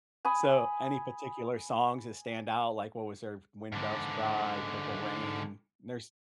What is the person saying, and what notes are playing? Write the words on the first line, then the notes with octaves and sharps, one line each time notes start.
So, any particular songs that stand out, like, what was there? "When Doves Cry," "Purple Rain," nurse
G#5 B5 D#6
G#2 D3